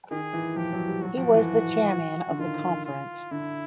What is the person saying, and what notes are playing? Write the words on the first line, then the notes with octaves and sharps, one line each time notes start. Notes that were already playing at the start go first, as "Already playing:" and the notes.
He was the chairman of the conference.
D#3 G#4
E3
F3 G4
F#3
G3
F#3 F#4
F3
E3
D3
D#3 F4
F4
D3 E4